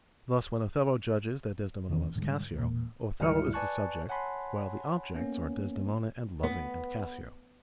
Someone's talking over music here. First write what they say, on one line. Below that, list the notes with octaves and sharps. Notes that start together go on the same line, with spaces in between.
Thus, when Othello judges that Desdemona loves Cassio, Othello is the subject, while the objects are Desdemona and loving and Cassio.
D#1 E2 D#3 C#4
G#2 D3 G3
E1 A#2
D2 G#2 G3 E4 F6 C#7
B4 D5 G#5 A5 C#6 F#6
C#5 F#5 G#5 A5 B5 C6
A#3 B3 C#4
B3